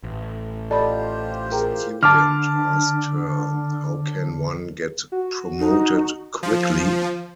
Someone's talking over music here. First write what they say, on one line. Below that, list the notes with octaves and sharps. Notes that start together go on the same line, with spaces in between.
A student asked her, how can one get promoted quickly?
A1
F4 G4 A4 C5 D5 D#5 A5 B5
G#4 A#4 G5 A#5
D3 A5 D6 F6
F#4
D#4
F3